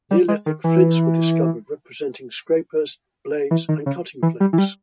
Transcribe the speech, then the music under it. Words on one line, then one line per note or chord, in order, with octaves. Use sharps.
Neolithic flints were discovered, representing scrapers, blades and cutting flakes.
G3
G#3
D#3
E3
E3
D#3
C#3
E3
G3
E3
G3